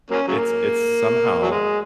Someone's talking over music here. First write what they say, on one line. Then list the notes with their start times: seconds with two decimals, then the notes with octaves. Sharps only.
it's it's somehow,
0.10 F#3 A#3 C#4
0.28 C#3 F#3 A#3
1.42 F#3
1.51 G#3